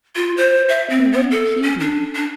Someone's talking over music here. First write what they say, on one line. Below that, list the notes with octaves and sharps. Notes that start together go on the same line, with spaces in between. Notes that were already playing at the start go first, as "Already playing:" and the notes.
"He wouldn't heed you."
F4
C5
E5
C4
B3
A4
C#4
D4
D4